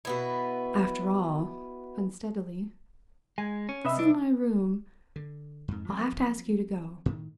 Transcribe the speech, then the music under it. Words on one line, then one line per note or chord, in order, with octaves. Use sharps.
"After all"--unsteadily--"this is my room; I'll have to ask you to go."
B2 B3 E4
G#3 G#5
C#4
C3 B4 D#5 E5
C2 D4
D3
F2 G#2
F3 F#3 A3 C4
A2 D#3